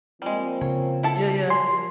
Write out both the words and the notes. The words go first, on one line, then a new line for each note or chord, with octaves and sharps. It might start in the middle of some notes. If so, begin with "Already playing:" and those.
Yeah, yeah.
F3 G3 G#3 A#3 C4
C#3 C#5
E4 A4 A5
A#2 F3 G#5 C6